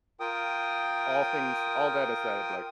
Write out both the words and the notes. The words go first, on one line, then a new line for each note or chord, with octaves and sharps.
all things all that aside, like,
F4 A#4 G5 D#6